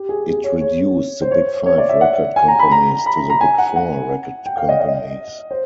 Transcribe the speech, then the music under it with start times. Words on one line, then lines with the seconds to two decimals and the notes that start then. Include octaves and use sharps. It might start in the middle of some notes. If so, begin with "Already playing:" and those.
It reduced the Big Five record companies to the Big Four record companies.
Already playing: G4
0.09 G#4
0.27 G#4
0.44 C#5
0.61 C#5
1.21 C5
1.31 C#5
1.66 C#5
1.78 D5
1.89 E5
2.01 F#5
2.36 G#5
2.48 A#5
2.59 B5
2.72 A#5
3.06 B5
3.17 A#5
3.30 A#5
3.41 G#5
3.58 F#5
3.76 F#5
4.46 G5
4.57 F5
4.69 D#5
4.80 D#5
5.51 C5